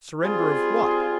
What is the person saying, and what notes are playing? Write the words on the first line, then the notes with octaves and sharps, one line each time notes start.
Surrender of what?
G3 C4 F4 G#4